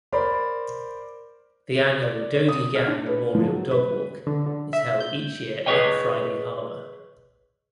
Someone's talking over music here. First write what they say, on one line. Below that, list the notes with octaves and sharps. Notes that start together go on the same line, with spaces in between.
The annual "Dodie Gann Memorial Dog Walk" is held each year in Friday Harbor.
A#4 C5 D5 B5
D5
C#5
D#6
F6
D4
B4
F3
F#3
B4
D3
D3
E5
G6
G#4 A4 B4 C#5 D#5 G5